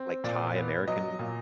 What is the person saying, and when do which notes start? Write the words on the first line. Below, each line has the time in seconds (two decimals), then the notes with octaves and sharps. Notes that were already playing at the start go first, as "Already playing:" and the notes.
like, Thai-American
Already playing: C4
0.24 A#2 D5
0.56 B3
0.88 F#3 D#5
1.19 A#2